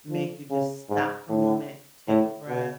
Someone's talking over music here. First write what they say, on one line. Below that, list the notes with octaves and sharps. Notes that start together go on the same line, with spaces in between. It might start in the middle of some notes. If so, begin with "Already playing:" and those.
make you just stop for a moment, take a breath,
F3
C#3
G#2
A2
A2
B2